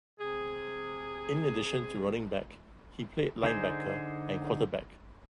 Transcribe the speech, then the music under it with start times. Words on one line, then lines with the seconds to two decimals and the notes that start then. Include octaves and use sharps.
In addition to running back, he played linebacker and quarterback.
0.19 C3 G#4
3.43 D3 D#4 G#4 C5